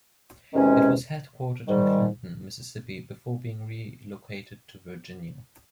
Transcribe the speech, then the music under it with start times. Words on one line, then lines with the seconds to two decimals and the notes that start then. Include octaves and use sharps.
It was headquartered in Clinton, Mississippi, before being relocated to Virginia.
0.54 E2 C3 D#3 G#3 C#4
1.67 G#2 D#3 G3